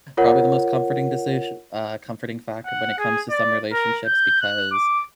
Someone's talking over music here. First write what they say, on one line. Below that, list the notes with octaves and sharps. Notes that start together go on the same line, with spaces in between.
probably the most comforting decis uh, comforting factor when it comes to some relationships because,
F4 A#4 C#5 F#5
F#5
G#4
D5
A#4
G6
F#6
D6